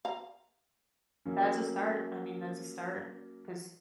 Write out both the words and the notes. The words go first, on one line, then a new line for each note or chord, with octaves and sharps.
that's a start. I mean, that's a start 'cause
F5 A#5
F#3 A#3 C#4